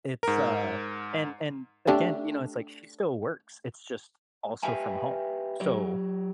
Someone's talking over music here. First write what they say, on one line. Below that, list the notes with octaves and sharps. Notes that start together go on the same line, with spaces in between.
It's, uh, and and, again, you know, it's like she still works, it's just also from home. So,
G#2 A#4
A3 D4 G4
G4 B4 E5 F5 G5 G#5
F#3 G4 C#5